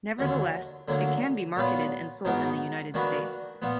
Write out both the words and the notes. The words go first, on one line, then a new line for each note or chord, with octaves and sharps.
Nevertheless, it can be marketed and sold in the United States.
D#2 D3 F#3
D2 D3 F#3 A#3
A#2 F#3 B3 F4 B4
G#2 F#3 B3 D#4 A#4
D#3 A#3 D4 F#4 B4
A#2 F3 B3